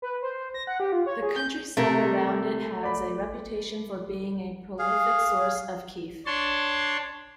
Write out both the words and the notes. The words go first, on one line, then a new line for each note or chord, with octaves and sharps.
The countryside around it has a reputation for being a prolific source of kief.
B4
C5
C5
A#6
F#5
G4
F4
C#5
G#4
G6
C3 A3 A#4
D5 B5
G#4 F5
D4 C#5 A5 C6